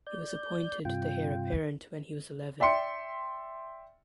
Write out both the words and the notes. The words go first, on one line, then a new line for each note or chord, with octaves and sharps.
He was appointed the heir apparent when he was eleven.
D5 G6
G2 C3 F4 G5
D5 E5 G5 C6 C#7